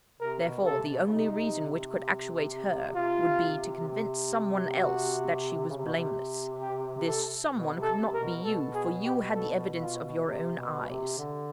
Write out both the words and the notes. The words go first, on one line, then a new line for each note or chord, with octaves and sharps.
Therefore the only reason which could actuate her would be to convince someone else that she was blameless. This 'someone' could not be you, for you had the evidence of your own eyes.
C3 A#4
B2
C#3
C3 A4
C3
B2
C#3
C3 D#4
C3 F4
C3
F#4
C#3
C3
B2
C3
G4
A4
B2
C3
A4
C3
A#4
B2
B2 A4
G#4
G4
A4
F4
C3
B2
B2
C3
D3